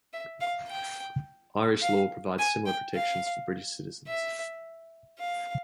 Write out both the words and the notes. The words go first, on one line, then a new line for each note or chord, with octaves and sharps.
Irish law provides similar protections for British citizens.
E5
F5
G5
F5
G#5
G5
F5
E5
F5